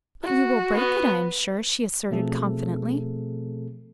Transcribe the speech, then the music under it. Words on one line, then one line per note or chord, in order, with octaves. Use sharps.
"But you will break it, I am sure," she asserted confidently.
F#4
B3
B2 F3 A3 C4 G#4 A4